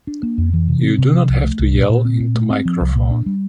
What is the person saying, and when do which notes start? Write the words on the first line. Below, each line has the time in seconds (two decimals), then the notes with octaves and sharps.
You do not have to yell into microphone.
0.07 D4
0.23 A#3
0.38 F2
0.53 E3
0.68 C3
0.83 C4
0.98 C3
1.14 F3
1.29 C2
1.44 A3
1.59 C2
1.74 A#2
1.89 A#2
2.05 C4
2.20 A#2
2.35 A3
2.50 C4
2.65 F3
2.80 C2
2.95 A#2
3.11 D4
3.26 G3